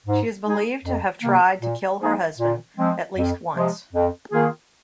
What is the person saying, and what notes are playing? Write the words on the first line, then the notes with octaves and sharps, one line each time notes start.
She is believed to have tried to kill her husband at least once.
G#2
G#3 D#4 G#4
F2
C3 D#3 A#3
A#2
F3 A#3 D#4 G#4
A#2
F3 G#3 C4
F2
C3 F3 G#3
F2
D#3 A#3 F4 G#4